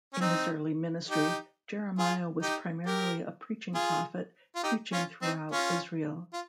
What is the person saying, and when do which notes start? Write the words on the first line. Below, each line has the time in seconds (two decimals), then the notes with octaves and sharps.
In his early ministry, Jeremiah was primarily a preaching prophet, preaching throughout Israel.
0.14 C#4
0.21 C4 D#4
1.10 D#4 G4
1.99 F4 G#4
2.42 D#4 G4
2.86 G4 A#4
3.74 F4 G#4
4.56 F4
4.63 D#4 G4
4.92 C#4 F4
5.22 C4 D#4
5.51 C#4 F4
6.33 F4